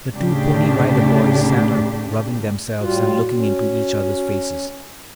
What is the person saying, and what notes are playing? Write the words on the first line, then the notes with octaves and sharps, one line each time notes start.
The two Pony Rider Boys sat up rubbing themselves and looking into each others' faces.
D2 A2 C#3 D4 G4
A2 G3 F4 F#4
C#4